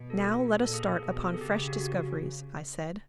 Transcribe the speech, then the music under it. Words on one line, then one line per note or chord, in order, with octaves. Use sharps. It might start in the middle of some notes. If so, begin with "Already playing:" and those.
"Now let us start upon fresh discoveries," I said.
Already playing: B2
A4
A#2 A4
G#4
A4
B2
A4
G#4
C#3 G4
G4
F#4
F#4